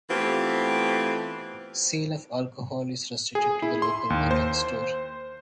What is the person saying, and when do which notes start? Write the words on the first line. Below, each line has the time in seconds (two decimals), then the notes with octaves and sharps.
Sale of alcohol is restricted to the local package store.
0.10 E3 A3 B3 C4 F4 G4
3.35 G#4
3.62 E4
3.82 C6
4.10 D#2
4.31 C5